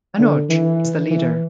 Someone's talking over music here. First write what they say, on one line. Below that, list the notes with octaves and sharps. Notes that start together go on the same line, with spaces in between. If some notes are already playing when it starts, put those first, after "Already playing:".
Manoj is the leader.
D3
E3
E3